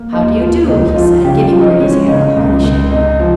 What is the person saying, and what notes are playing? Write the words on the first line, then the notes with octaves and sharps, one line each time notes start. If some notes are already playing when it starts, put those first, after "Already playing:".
"How do you do?" he said, giving Bertie's hand a hearty shake.
Already playing: A#3
D#2 D#4
D#2 F4
C#2 D#4
D#4
F3 F4
C#3 G4
F4
F3
D#4
G#3 C#4
C#3 D#4
C#2
C#2
C3 D#4
F3